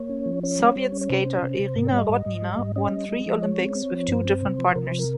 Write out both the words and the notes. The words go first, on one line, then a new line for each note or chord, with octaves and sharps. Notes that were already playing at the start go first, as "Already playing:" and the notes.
Soviet skater Irina Rodnina won three Olympics with two different partners.
Already playing: A#3 C#5
C#4
F3
C#4 C#5
G3
G3
C#4
C#5
C3 C5
C#4
C3
C3
G#2 A#4
C#5
G3 D#5
G#2
G#2
G3
G#2
C#4 D#5
G3
G#3
F3
G#3 C#5
C4
C4
F3
G2 C5
C4
C3
F3
C3 A#4
F3 C5
A#4